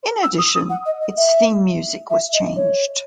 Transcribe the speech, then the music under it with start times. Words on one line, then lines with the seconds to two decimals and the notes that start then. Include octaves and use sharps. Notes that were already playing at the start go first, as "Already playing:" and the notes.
In addition, its theme music was changed.
0.22 E6
0.38 D#6
0.54 D#6
0.69 F#5
0.85 D#5
1.00 D#5
1.16 E5
2.09 E5
2.33 D#5
2.56 C#5